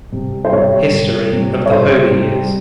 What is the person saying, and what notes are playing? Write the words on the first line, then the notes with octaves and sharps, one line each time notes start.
History of the Holy Years.
C3
G3
C5
C3 C#5
G3
C3
G3
C3
G3
C#5
C3 C5
G3
C3
G3